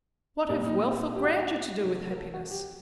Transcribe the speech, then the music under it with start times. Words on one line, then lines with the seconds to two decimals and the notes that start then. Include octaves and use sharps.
"What have wealth or grandeur to do with happiness?"
0.49 A#2 G3 A#3 D4
0.66 D#4
0.83 G4
1.16 G4
1.24 F#4
1.32 D#4
1.40 F#4
1.84 C3 F#3 A3
2.10 A#4
2.17 A4
2.34 F#4
2.50 G4